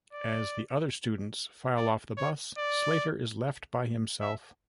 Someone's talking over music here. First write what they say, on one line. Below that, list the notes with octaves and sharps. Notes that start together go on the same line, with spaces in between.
As the other students file off the bus, Slater is left by himself.
D5
D5
C#5
D5
E5